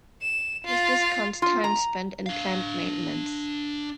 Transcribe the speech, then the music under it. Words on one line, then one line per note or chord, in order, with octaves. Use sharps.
This discounts time spent in planned maintenance.
E7
F4
F4
A#5
D4 F5